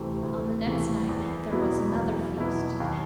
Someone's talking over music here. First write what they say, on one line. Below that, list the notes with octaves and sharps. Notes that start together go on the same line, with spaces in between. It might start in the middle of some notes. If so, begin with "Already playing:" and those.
On the next night there was another feast.
Already playing: D2 C3 E3 A3
D2
C3 E3 A3
E2
B2 F#3 B3 E4
E2
B2 F#3 B3 E4
D#2